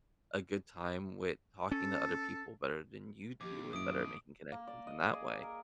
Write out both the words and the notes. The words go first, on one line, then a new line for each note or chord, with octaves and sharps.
a good time with talking to other people better than you do, and better at making connections in that way.
C#4 A4
D#2 F3 G4 D6
F#2 E4 F5 D#6 D7
A#3
D5
D#5
G#4
D5
A#4